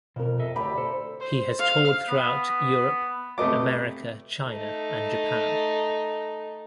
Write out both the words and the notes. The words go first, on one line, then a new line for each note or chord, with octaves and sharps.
He has toured throughout Europe, America, China and Japan.
F2 B2 A#4
A4 D#5 E5
D2 G4 D5 B5
A4 C5
C5
F5
B3
C3 A3 B3 D#5 D6
A3 D#4